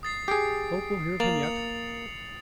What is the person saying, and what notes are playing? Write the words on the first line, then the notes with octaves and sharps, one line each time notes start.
"Folk will hear of him yet."
D#6 A6 C7
G4 G#4 C7 D7
A#3 A6 F7 F#7
C#7